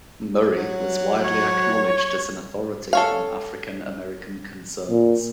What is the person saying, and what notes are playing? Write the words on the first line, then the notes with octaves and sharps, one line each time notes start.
Murray was widely acknowledged as an authority on African-American concerns.
F#3
C#5
A4 C#5 F5
A#2